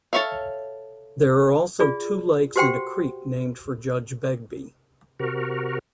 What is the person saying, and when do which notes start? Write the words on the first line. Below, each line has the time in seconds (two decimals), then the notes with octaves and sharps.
There are also two lakes and a creek named for Judge Begbie.
0.13 A4 B4 C#5 E5 F5
1.80 F4 G#4 D5
2.56 F#4 G4 C5 F#5 G5 C6
5.20 C3 F#4 A#4